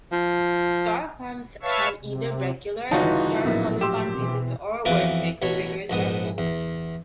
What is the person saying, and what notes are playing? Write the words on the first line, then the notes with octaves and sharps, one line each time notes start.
Star forms have either regular star polygon faces or vertex figures or both.
F3
B4 C#5 E5 F5 A5 C#6
C3
G1 C#3 E3 D#4 F4 F#4 C#5 A5
A#1 F#2 A2 B3 E4 E5 B6
G4 C6 E6 E7
B2 E3 C4
F2 E3 A#3 B3 F#4 D6
A1 B2 C#5
A#1 G#2 B3 D#6
E2